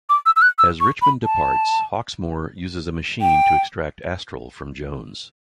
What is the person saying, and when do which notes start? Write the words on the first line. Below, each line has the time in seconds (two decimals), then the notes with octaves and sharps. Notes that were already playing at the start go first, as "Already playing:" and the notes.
As Richmond departs, Hawksmoor uses a machine to extract Astral from Jones.
0.09 D6
0.26 E6
0.36 E6
0.42 F#6
0.58 E6
0.81 C#6
1.02 B5
1.24 A5
3.21 G5